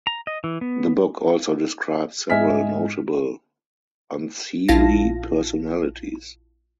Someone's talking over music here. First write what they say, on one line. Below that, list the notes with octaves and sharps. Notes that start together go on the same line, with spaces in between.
The book also describes several notable Unseelie personalities.
A#5
D#5
E3
B3
G#2 D#5 E5 G#5 F6 B6
A#1 E4 F4 F5 A5 A#6